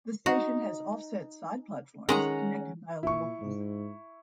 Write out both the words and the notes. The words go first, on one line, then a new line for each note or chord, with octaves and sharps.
The station has offset side platforms connected by a level crossing.
D#4 F#4
D#3 G#3 C#4 F#5 A#5
A#2 E4 C#6
G#2